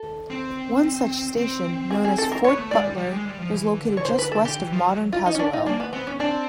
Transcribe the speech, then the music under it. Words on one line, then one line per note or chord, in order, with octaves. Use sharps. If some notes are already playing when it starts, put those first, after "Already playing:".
One such station, known as Fort Butler, was located just west of modern Tazewell.
Already playing: A4
C4
C4
G#4
G#4
A4
A#4
B3 C#5
A3
G#3 D5
G3
G3
G#3
G3
F3
E3
D3
C#5
D3 C5
B4
D3
A4
D3 G4
E3
F3
F#3
F4
D#4
C#4
D4
D#4
A#3 D4
B3
B3 C4
C#4
C4 D4